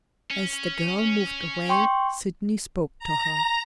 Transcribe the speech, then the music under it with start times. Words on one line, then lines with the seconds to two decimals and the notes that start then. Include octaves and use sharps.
As the girl moved away, Sydney spoke to her.
0.31 C#4
1.69 G5 C6 C#6
2.99 A#5